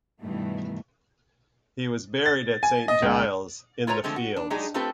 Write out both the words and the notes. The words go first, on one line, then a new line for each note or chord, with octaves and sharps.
He was buried at Saint Giles in the Fields.
G2 B2 D#3 E3 A3
A6
G#5
D#5
C#2
E4 F4 A#4 B4 C#5 A#5
D3 F3 G#3 A3 C4
F#4
D4
F#3 G#3 D4 D#4 G4 G#4
A3 C4 F4 G4 A4 B4